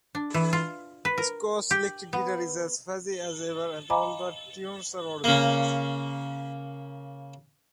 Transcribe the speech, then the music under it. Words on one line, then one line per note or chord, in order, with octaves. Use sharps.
Sco’s electric guitar is as fuzzy as ever and all the tunes are originals.
D4
E3
F4
B4
A#4
G4
B3
D#5 F5 G#5 A#5 B5 D6
C#3 A#3